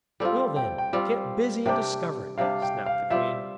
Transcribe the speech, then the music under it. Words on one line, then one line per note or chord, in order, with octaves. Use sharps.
"Well, then, get busy and discover it," snapped the Queen.
G3 C4 F4 A4
G5
G5
G3 C4 F4 F5
C3 G3 D4 G5
C3 G3 D4 F5
G5
F5
G3 C4 F4 C5 E5